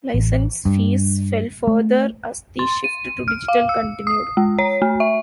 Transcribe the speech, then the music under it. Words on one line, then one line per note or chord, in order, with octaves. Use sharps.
Licence fees fell further as the shift to digital continued.
A1
G2
A3
C6
D#7
F6
F5
E6
D#6
G#3
C#5
A3
E5